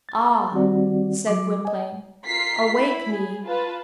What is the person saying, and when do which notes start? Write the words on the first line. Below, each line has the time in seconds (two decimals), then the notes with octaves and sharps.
"Ah," said Gwynplaine, "awake me!"
0.09 A6
0.52 D#3 G3 C4 F#4 D5
1.27 F#3 D6
1.65 D#5 G#5
2.26 F4 A#5 B6 C7
2.75 E4 B5
3.11 G#4
3.45 F4 B4 A5